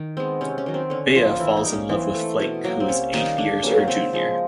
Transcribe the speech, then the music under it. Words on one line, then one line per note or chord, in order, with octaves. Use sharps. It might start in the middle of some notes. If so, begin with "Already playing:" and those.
Bea falls in love with Flake, who is eight years her junior.
Already playing: D#3
G#3 B3 C4
C3 C#4
C#4
D#3 F#3
C4
D3 C#4
F3 A#3 F4
E3 E4
D#4
G3 A#3
C#4
E3 C4
A3
B2
F#3 A#3
C4
C3 C#4
D#3 G3 A#3 D#4
D3 D4
F#3 A#3 C#4
C#3 C4
F3 G#3